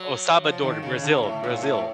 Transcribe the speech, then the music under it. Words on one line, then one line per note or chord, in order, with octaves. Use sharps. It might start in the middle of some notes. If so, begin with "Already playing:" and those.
Oh, Salvador, Brazil. Brazil.
Already playing: F#3
F3
D#3
C#3
D3
A2
A#2
A2